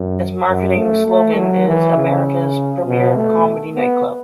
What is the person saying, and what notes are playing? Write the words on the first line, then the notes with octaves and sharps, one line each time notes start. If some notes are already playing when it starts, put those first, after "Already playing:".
Its marketing slogan is America's Premiere Comedy Nightclub.
Already playing: F#2
F#2
A3
A3
F#3
E3
C#3
B2
A3
B3